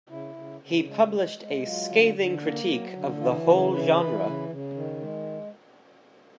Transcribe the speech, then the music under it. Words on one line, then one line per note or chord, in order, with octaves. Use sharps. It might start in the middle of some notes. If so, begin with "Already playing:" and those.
He published a scathing critique of the whole genre.
C#3 E4
C#3
C#3
G#3
G#3
G#3
F#3 F4
D3
D3
A#3
F#3
D3
E3 F4
C#3 F#4
E3 B4
E3 B4
C#3
C#3
D#3
G#3